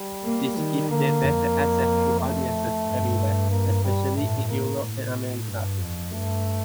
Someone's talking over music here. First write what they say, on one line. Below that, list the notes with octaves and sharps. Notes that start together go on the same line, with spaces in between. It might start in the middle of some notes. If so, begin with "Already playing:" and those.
This gave them better access to audiences everywhere especially in Europe and America.
Already playing: G3
A#3
D#3
D3 A#3
F2
A3
G2
A#3
G3
A2 A3
A#3
A2
G2
F2
G2 A3